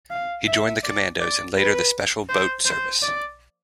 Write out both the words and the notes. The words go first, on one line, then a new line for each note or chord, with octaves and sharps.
He joined the Commandos and later the Special Boat Service.
F5
E5
D5
D5
B4
C5
C5
D5